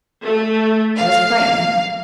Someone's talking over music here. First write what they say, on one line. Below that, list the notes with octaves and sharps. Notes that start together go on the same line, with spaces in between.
I was frightened.
A3
F5